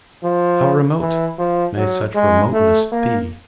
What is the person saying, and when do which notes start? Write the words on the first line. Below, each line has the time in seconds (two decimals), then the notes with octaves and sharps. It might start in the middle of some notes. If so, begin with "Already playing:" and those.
How remote may such "remoteness" be?
0.23 F3
1.00 E3
1.39 F3
1.77 F#3
2.15 G#3
2.53 A3
2.92 A#3